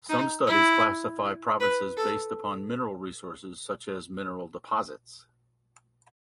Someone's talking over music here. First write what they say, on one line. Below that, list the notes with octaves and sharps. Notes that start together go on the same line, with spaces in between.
Some studies classify provinces based upon mineral resources, such as mineral deposits.
D#4
E4
B4
A4